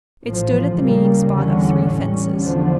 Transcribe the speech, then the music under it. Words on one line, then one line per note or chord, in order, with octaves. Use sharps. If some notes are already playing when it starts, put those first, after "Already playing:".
It stood at the meeting-spot of three fences.
A1 A2 F3
C#2 C#3 G3 A#3
E2 D3 G3 C#4
A1 A2 G3 C#4
E2 D3 F3 A3